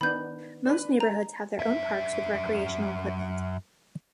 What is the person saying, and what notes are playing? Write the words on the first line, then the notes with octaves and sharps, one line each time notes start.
Most neighborhoods have their own parks with recreational equipment.
D#3 B3 D4 B5 G6
D4 B4
A#5
F#2 E5